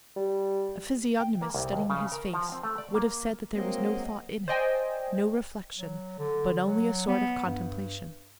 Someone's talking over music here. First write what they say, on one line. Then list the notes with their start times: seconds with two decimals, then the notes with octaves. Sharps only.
A physiognomist studying his face would have said that there was no thought in it, no reflection, but only a sort of contemplation.
0.16 G3
1.20 G5
1.41 A#3
1.55 C2
1.73 D#2
1.90 C#3
2.12 A#4
2.34 F3
2.52 C4
2.63 A3
2.78 D5
2.94 A#3
3.53 F#3 G#3 A#3 C4 D#5
4.48 C5 D5 D#5 G5 G#5
5.78 F#3
6.19 D3
6.66 F#3
7.07 B3
7.46 G2